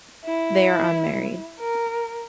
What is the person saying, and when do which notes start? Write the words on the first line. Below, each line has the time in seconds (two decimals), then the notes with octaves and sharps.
They are unmarried.
0.25 E4
1.59 A#4